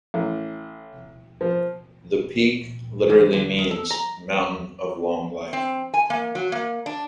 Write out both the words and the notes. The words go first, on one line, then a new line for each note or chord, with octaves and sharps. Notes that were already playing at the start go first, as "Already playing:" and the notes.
The peak literally means 'Mountain of long life'.
A1
F3
E3
D3
D#3
A4
A#5
C4
G#5
A#3
F#3
A#3
D4